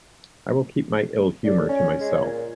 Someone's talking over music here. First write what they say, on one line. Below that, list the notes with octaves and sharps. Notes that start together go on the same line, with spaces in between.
I will keep my ill-humour to myself.
A2 D5
C#4 C#5
G#3
A#2